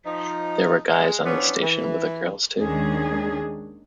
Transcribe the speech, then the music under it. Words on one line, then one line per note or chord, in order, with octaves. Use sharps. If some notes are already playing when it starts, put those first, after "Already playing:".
There were guys on "the station with the girls", too.
F3 D#4
G#3
E3 F3 B3 C#4 D4
E3
D#2 D#3 G#3 C#4 D4 G#4